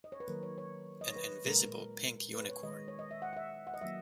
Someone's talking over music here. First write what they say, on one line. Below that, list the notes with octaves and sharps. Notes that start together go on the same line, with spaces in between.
An invisible pink unicorn.
D#5
C#5
B4
D#3 F#3 A#3 A#4
C#5
C#5
D#5
C#5
B4
A#2 G#3 A#4
B4
C#5
D#3 G#3 D#5
C#5
D#5
E5
F#5
F#5
E5
F#5
D#5
D#3 F#3 A#3 E5